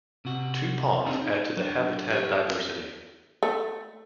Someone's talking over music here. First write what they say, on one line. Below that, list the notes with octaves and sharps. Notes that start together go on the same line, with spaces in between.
Two ponds add to the habitat diversity.
C3 F#4
C4 D4 D#4 G#4 C5 C#5
D#4
F#3 D4
G4 B4 C#5
A3